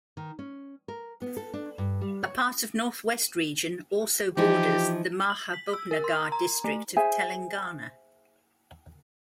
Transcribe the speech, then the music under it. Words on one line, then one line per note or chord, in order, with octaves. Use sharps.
A part of north west region also borders the Mahabubnagar district of Telangana.
D#3
C#4
A#4
B3
A4
D4
G2
G3
C#5
E3 F3 D#4 G4
F#7
B6
E6
A#4
C6
A#5
A3
G#4 C5 E5 G#5